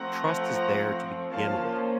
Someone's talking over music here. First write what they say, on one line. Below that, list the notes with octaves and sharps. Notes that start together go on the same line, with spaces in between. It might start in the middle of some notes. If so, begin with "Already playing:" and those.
trust is there to begin with,
Already playing: F3 A3 C4 F#5 A#5
F3 A#3 C#4 F5 A5